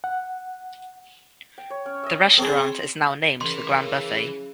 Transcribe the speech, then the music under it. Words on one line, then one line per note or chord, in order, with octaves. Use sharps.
The restaurant is now named The Grand Buffet.
F#5
G5
C#5
C#4
D#5 E5
C4 G#4 A4 C#5 B5
C#3 E3 A#4 C6